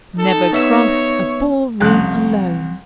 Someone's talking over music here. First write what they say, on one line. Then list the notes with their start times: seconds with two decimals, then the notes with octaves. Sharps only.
Never cross a ball room alone.
0.18 D#4 A4
0.53 B3 C#5 E5 E6
1.80 C2 F2 C#3 F#6